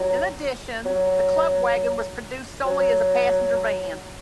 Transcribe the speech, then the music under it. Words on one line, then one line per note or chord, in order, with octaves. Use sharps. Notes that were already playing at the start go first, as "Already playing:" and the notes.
In addition, the Club Wagon was produced solely as a passenger van.
Already playing: F#3
F#3
F#3